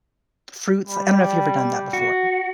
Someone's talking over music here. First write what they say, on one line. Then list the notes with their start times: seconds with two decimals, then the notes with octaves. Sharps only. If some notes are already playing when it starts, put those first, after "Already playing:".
fruits li I don't know if you've ever done that before.
0.87 G3
1.93 F#4